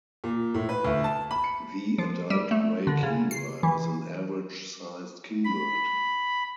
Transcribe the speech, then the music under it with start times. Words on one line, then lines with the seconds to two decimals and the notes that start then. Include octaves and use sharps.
The adult gray kingbird is an average-sized kingbird.
0.24 A#2
0.54 A2
0.69 B4
0.85 D2
1.04 A5
1.31 B5
1.44 C#7
1.98 F3
2.30 G3
2.51 A3
2.87 D3
3.03 C#3
3.31 C7
3.63 E3
5.45 B5